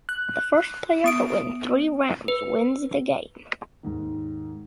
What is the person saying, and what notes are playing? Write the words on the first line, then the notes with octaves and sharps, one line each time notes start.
The first player to win three rounds wins the game.
F#6
B3 D#6 D7
B4
D#2 G#2 D#3